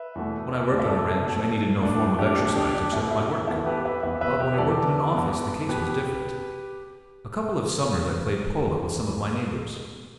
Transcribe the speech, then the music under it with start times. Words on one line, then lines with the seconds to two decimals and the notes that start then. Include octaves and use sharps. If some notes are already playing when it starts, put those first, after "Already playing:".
When I worked on a ranch, I needed no form of exercise except my work, but when I worked in an office the case was different. A couple of summers I played polo with some of my neighbors.
Already playing: B4 E5
0.15 E2 B2 A3
0.71 E2 B2 A3 D5
0.79 E5
0.89 A4 D5
1.26 B2 A3
1.82 B2 A3 D4
2.00 E4
2.18 D4 G4
2.37 B2 A3 D4
2.56 D4 G4
2.74 D4
2.93 B2 A3 E4
3.11 E4
3.29 E4
3.47 E2 E3 B3 E4 A4
3.66 G4 B4
3.85 B4 E5
4.03 E2 E3 B3 B4 E5
4.21 B4 E5
4.40 G4 B4
4.58 E2 E3 B3 A4 D5
5.14 E2 E3 B3
5.69 B2 B3 G4 B4